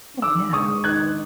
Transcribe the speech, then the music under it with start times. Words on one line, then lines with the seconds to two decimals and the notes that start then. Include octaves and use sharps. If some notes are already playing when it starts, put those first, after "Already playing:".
Oh, yeah.
0.22 D#3 D6 E6
0.53 G#3 C#6 D#6
0.84 D#3 F#6 G#6